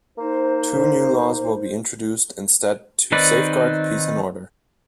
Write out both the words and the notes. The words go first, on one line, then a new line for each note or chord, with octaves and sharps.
Two new laws will be introduced instead to safeguard peace and order.
A#3 D#4 C5
D#3 C4 D#4 B4 D5